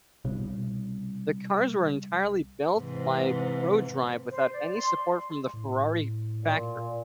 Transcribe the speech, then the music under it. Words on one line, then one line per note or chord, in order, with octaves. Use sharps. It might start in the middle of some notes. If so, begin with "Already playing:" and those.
The cars were entirely built by Prodrive without any support from the Ferrari factory.
C2 B2
G#2 C3 E3
C5
D5
C6
A2
A#2